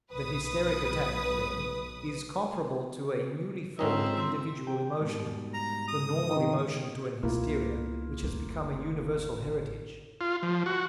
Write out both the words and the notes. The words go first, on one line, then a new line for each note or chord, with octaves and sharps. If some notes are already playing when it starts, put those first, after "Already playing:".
The hysteric attack, then, is comparable to a newly formed individual emotion, the normal emotion to an hysteria which has become a universal heritage.
B1 B4 D#6
G#2 C4 C#4 F4 D#5 E5 A#5
G5
G#2 B2 G3
A#5
D#6
D#3
C#2 B2 A#3 E4 F4
F#1 D2
A1
F4
F3
F#4